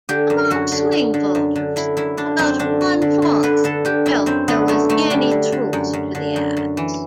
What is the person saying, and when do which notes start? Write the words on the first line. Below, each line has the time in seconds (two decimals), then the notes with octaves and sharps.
Among swing voters, about one-fourth felt there was any truth to the ads.
0.09 D3 G4
0.30 F#2
0.50 F#2 F#4
0.72 D3
0.92 F#2
1.14 D3
1.35 F#2
1.56 D3
1.76 D3 E4
1.97 F#2 E4
2.17 D3 D4
2.38 F#2 C4
2.59 D3 D4
2.81 F#2
3.02 D3
3.22 D3
3.43 D3 B4
3.64 D3 A4
3.85 D3 G4
4.06 F#2 E4
4.26 F#2 C4
4.48 D3 B3
4.68 F#2 A3
4.89 F#2 A3
5.10 D3 G3
5.31 D3
5.52 D3
5.73 F#2
5.93 F#2
6.15 D3
6.36 F#2
6.57 F#2
6.77 E3